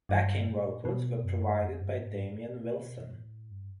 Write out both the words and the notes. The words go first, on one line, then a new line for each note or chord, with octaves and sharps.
Backing vocals were provided by Damian Wilson.
G2
A#2
B2
F#2
G2
F2
G2
G#2
A#2
B2
A2
G2